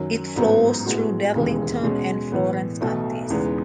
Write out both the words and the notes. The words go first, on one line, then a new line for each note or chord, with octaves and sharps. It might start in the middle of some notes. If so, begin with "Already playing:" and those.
It flows through Darlington and Florence counties.
Already playing: F#2 D#3 F#3 C#4
A1 G#2 F#3 B3
A2 G#3 B3 F#4
E1 D#2 C#3 E3 G#3
B2 G#3 C#4
A2 E3 B3
B1 B2 A3
E2 C#3 G#3 B3 D#4